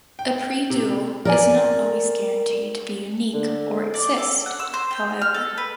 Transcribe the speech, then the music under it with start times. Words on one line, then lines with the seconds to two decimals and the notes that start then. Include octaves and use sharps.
A predual is not always guaranteed to be unique or exist, however.
0.19 G5
0.70 C3
1.25 A#4 D5 G#5
3.34 D3
3.94 D5
4.18 A4
4.46 F#5
4.60 E6
4.74 C5
4.91 G5
5.21 F6
5.34 A4
5.58 B4